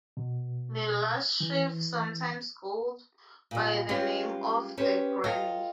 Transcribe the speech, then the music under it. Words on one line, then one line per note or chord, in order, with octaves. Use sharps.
"The last sheaf sometimes goes by the name of "The Granny"."
B2
E3
A#2 G3
G3 G#3 B3 C#4 F4 G4
C#4 G4 B4 C5
F4 A4 D#5 F5 G5